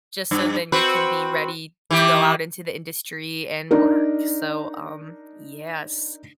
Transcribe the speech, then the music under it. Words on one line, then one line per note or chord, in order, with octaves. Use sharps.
just so then you can be ready to go out into the industry and work, so, um, yes,
G2
C4 F#4 B4
E3 G4
D4 D#4 A#4